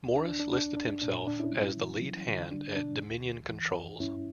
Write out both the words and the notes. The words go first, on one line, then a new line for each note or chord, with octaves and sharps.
Morris listed himself as the lead hand at Dominion Controls.
D2
D4
D2 D4
D4
E2 D4
E2 D4
A#2 D4
A#2 D4
C#4 E4
G3
E3
F#3
D3
G3 D4
B2 D4
D2
D2
E3
F#2
G2 C#4 E4